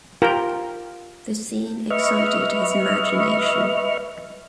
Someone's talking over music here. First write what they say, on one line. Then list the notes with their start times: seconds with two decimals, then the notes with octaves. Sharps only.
The scene excited his imagination.
0.22 F4 G4 A#4 G5
1.90 B4 D#5 E5 C#6 F6